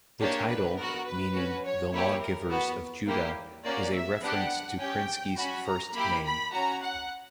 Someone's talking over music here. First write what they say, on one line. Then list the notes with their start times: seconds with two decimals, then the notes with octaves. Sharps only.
The title, meaning "The Lawgivers of Judah", is a reference to Krinsky's first name.
0.20 A#3 D4 G4 C#5
0.48 B4
0.76 B3 F#4 A#4
1.05 B4
1.34 C#4 F#4
1.63 C#5
1.91 A#3 E4 G4 C#5
2.20 A#4
2.49 B3 F#4
3.06 A#3 E4 G4
3.63 A#3 C#4 F#4 D5
3.93 E5
4.21 B3 D4 G4 F#5
4.78 C#4 G4 G5
5.36 C#4 F#4 B5
5.65 A#5
5.93 A#3 E4 G4 B5
6.23 B5
6.51 C#4 F#4 A#5
6.80 F#5